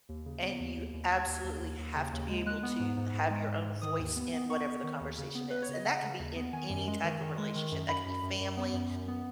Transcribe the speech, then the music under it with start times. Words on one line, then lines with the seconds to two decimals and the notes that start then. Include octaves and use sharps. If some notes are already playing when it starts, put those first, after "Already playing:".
and you absolutely have to be able to have your own voice in whatever the conversation is, and that can be in any type of relationship, that can be family,
0.09 D#2
0.26 C#3
0.43 B3
0.60 D#2
0.77 D#2
0.93 D#2
1.10 D#2 G#6
1.27 D#2
1.44 D#2
1.61 D#2
1.79 D#2
1.96 C#3
2.13 D#2
2.29 G#3
2.46 G#3 F#6
2.63 B3
2.80 G#2
2.97 G#2
3.14 G#2
3.30 G#3
3.47 G#2
3.65 G#2
3.82 D#3 D#6
3.99 D#2
4.16 B3
4.33 B3
4.49 B3 C#6
4.66 B3
4.84 D#3
5.01 D#2
5.18 C#3
5.35 B3
5.50 B3 B4
5.62 C#5
5.69 C#3
5.74 D#5
5.85 C#3 F#5
6.02 C#3
6.19 D#2
6.36 B3
6.53 D#3 G#5
6.70 F#2
6.87 G#3
7.04 D#3
7.21 D#3
7.38 G#3
7.56 D#3
7.72 F#2
7.89 F#2 B5
8.06 F#2
8.23 F#2
8.40 F#2
8.57 B3
8.73 F#2
8.90 F#2
9.08 B3